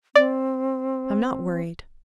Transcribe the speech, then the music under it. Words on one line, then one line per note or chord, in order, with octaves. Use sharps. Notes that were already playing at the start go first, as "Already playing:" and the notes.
"I'm not worried."
C4 D5